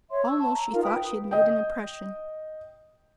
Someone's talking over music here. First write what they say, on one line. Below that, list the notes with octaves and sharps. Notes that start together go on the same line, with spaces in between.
Almost she thought she had made an impression.
C#5 E5 C6
C#6 E6
A5
A#5
D#4 F4 A#4 F5
B4 G5 D#6
D#5 G5